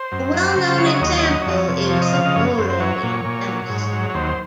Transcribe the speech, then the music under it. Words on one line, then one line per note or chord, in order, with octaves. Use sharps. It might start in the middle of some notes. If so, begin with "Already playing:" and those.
A well-known example is the Molo in Venice.
Already playing: C5
F#2
F#3
C#3
F#3 C#5
D#5
C#5
D#2 D#5
C#5
D#5
F#3 C#5
D#5
C#5
F2 D#5
C#5
C3
F3 C#5
D#5
C#3 F5
D#5
F#2 C#5
F#2 C5
C5
F#3 C#5
A#2
A#2
F#3
G#2
F#3
C#5
D#2 C5